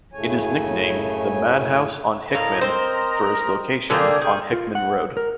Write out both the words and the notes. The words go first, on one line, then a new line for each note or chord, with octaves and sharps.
It is nicknamed the "Madhouse on Hickman" for its location on Hickman Road.
F#2 A2 C#3 A3 C#5 G#5
A2 A#4 D#5 F5 A#5
C4 C5
D3 A#3 G4 G#4
D#3 G#4 G5
F4
F#5
A#4